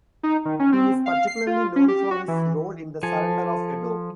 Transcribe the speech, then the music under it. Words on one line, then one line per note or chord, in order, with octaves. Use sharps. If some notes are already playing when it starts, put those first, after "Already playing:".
He is particularly known for his role in the surrender of Edo.
D#4
D#3
C#4
C4
F5
C7
F4
C#4
G4
F#4
E3
F3 A4 G#5